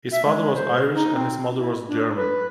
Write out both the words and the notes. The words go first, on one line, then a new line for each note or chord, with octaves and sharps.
His father was Irish and his mother was German.
E5
G#3
C5
D#4
C4
E4
D4
B4